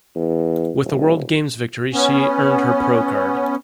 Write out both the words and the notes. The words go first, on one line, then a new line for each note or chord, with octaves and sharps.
With the World Games victory she earned her pro card.
E2
D#1
B3 C#4